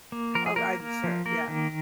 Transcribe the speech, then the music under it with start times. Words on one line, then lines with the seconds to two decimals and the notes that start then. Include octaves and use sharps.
Oh, I'm sure, yeah.
0.12 A#3
0.35 F3 A#4
0.46 G#4
0.56 A#3 A#4
0.80 A#3
1.04 F3
1.25 A#3 A#4
1.48 D#3